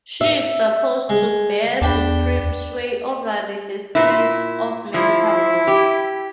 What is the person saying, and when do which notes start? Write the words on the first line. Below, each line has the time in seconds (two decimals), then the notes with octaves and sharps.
She is supposed to bear supreme sway over the destinies of mankind.
0.21 E5
1.09 G#3
1.81 E2 D4 G5 B5
3.95 A#2 E4
4.94 F3 E4
5.67 G4